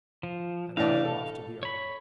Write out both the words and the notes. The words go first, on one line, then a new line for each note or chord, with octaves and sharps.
And I am off to the army.
F3
A2 E3 D4 F5
A4
C#5 B5